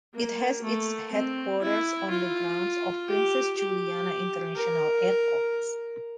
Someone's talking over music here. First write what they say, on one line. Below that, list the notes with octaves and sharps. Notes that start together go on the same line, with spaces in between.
It has its headquarters on the grounds of Princess Juliana International Airport.
A#3
A3
C4
E4
F4
G4
G4
A#4